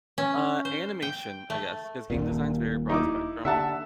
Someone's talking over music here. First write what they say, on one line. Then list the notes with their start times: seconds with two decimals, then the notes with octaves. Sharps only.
uh, animation, I guess, 'cause game design's a very broad spectrum,
0.18 C#4
0.65 C5
1.02 G5
1.50 A3
2.10 D#1 G#1 A#2
2.89 D#4 E4 D6
3.45 D3 E5 F#5 A5